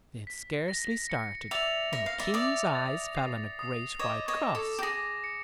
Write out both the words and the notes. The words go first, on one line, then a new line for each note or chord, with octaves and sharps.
They had scarcely started, when the King's eyes fell on a great white cross!
B6
A#6
C#7
D5 E5 F7
E5 A#6
F5
D5 E5
D5 E5 D#6
A6
C7
D#6
C#5 D#5 D6
C#5 D#5
D6
A4
G4
G#4 A#6
C#7